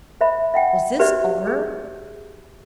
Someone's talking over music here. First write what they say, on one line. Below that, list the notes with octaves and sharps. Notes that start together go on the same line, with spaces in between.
Was this honor?
C5 E5 B5
E5 F#5 G5
F#4 G4 B4 C5 D5 E5
G#4